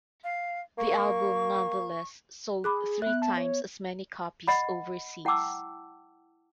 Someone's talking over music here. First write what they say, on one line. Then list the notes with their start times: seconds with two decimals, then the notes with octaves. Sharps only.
The album nonetheless sold three times as many copies overseas.
0.23 F5
0.78 A#3 C#6
2.64 G#4 B5 D6 F#6
3.02 B3 E5 F#6
3.22 A5
3.37 C#5
4.47 D#5 F#5 B5
5.25 E4 F#5 G5 A5 D6 E6